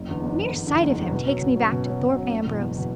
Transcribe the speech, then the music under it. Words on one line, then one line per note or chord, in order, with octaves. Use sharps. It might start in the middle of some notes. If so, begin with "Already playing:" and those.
The mere sight of him takes me back to Thorpe Ambrose.
Already playing: F#1
E2 D3
F#1
E2 D3
F#1
E2 D3
F#1
E2 D3
B2
F#3 C#4
B2
F#3
C#4
B2
F#3 C#4
B2
F#3 C#4
F#1
E2 B2
F#1
B2